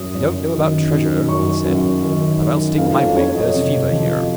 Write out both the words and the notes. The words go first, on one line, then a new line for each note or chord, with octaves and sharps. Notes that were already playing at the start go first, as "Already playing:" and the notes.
"I don't know about treasure," he said, "but I'll stake my wig there's fever here."
Already playing: F#2 D#6
F#2
D#3
F#3
F#2 C#6
F#2
D#3
F#3
F2 F5
C#5
F2 C#5
D#5
C3
F3